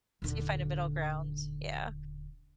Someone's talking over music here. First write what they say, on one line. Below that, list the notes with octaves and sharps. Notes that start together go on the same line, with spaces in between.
So you find a middle ground, yeah.
D#1 D3